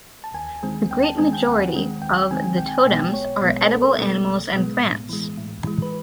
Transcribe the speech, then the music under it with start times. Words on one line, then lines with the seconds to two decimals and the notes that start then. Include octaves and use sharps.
The great majority of the totems are edible animals and plants.
0.24 A5
0.34 D#2 G#5
0.63 D#3 G#3 C4
0.90 D#2 G5
1.04 A5
1.18 D#3 G#3 C4 G#5
1.33 G5
1.47 D#2 F#5
1.74 D#3 G#3 C4
2.02 D#2 G5
2.31 D#3 G#3 C4 G#5
2.58 B1 G5
2.69 G#5
2.80 G5
2.86 B2 G#3 B3
3.14 B1 C#5
3.42 B2 G#3 B3
3.65 A#4
3.69 B1 A4
3.98 B2 G#3 B3
4.26 B1
4.53 B2 G#3 B3
4.82 A2
5.09 E3 G#3
5.38 A2
5.65 E3 G#3
5.82 B4